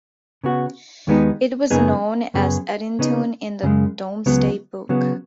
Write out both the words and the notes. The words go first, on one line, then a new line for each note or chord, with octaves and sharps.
It was known as Eddintune in the Domesday Book.
C#3 B3 F#4
D#2 D#3 G#3 B3 D#4
F#2 C#3 B3 D#4 G#4
F#2 C#3 B3 G#4
C#3 B3 D#4
F#2 C#3 G#3
C#2 C#3 F#3 B3
C#3 F#3 B3